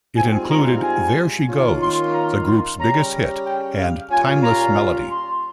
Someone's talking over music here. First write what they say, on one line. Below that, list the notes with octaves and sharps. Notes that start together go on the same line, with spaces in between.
It included "There She Goes," the group's biggest hit, and "Timeless Melody".
G#2 G3 C4 F4 G#5
A#5
G#5
D#3 A#3 C#4 F4
C6
A#5
C6
C#3 G3 C#4 A#5
G5
F5
A#2 G3 C#4 F4 G#5
A#5
C6